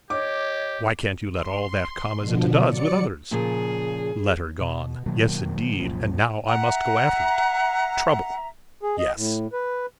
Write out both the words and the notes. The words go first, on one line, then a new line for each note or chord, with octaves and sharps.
Why can't you let all that come as it does with others?' 'Letter gone;--yes indeed, and now I must go after it.' 'Trouble!--yes!
G4 C#5 D#5 D6
C6
B2 D3 F3
F#3 D5 C#7
A#2 C#3 F3 G#4
B2
B2 D#3 F#3 A#3
C2 F#2 A#2 F3
E5 F#5 A#5
G#4
D#5
A2
B4